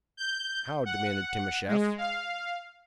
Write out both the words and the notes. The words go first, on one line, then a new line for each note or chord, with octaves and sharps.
"How?" demanded Timascheff.
G6
F#5
G#3
F5